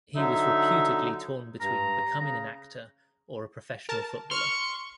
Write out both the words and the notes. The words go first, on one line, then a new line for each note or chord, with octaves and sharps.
He was reputedly torn between becoming an actor or a professional footballer.
D3 F#3 D#4 E5
G2 A#5
C#3 A#5
A#4 A5
C6 C#6 F6